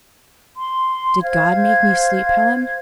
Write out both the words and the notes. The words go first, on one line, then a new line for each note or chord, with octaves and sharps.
"Did God make me sleep, Helen?"
C6
C5 F5 G#6